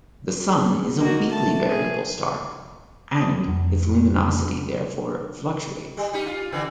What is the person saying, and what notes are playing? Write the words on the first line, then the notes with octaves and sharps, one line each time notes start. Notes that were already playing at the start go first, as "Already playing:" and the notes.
The Sun is a weakly variable star, and its luminosity therefore fluctuates.
G#4
A#3 D#4 F#4
A3 A5
G#4
D#6
F2
G3
G3 D#4 G4
F4
D3 E3 C4